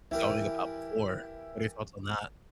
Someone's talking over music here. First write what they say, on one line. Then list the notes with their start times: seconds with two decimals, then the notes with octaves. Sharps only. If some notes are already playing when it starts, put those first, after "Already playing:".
going about before. What are your thoughts on that?
0.11 E3 E4 G4 A#4